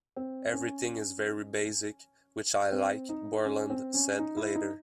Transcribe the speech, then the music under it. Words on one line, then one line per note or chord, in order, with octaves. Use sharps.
Everything is very basic, which I like, Borland said later.
C4
C#4
C4
D#4
C#4
C4
C#4
D#4
E4
D#4